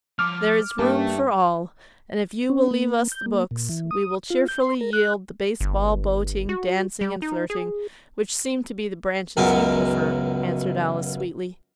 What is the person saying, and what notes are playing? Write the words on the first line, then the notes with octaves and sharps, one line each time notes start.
'There is room for all; and if you will leave us the books, we will cheerfully yield the baseball, boating, dancing, and flirting, which seem to be the branches you prefer,' answered Alice sweetly.
F3 D6 F6
G2 A#3 G4 E5 A5
C#4
A#3
G6
A#3
A#2
E3
D#6
F4
G6
C6
A#4
F#6
G1
F#4
G3
D#4
G#4
C#2 F#2 B2 A#4